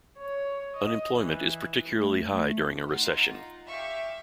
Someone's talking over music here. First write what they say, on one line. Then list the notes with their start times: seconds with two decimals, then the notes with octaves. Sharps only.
Unemployment is particularly high during a recession.
0.19 C#5
0.77 D#5
1.17 E3
1.91 A3
2.26 A3
2.86 D#4 F4 F#5
3.67 G4 E5 F5 C#6